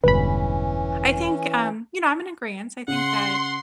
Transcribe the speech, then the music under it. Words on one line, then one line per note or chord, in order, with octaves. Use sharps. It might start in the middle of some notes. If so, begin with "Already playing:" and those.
I think, um, you know, I'm in agreeance, I think that,
E1 G2 D3 E3 C#4 B4 B5
C#3 F#5 C6